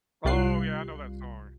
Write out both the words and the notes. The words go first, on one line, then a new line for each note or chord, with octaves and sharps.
Oh yeah, I know that song,
C2 G3 F4 F#6 C7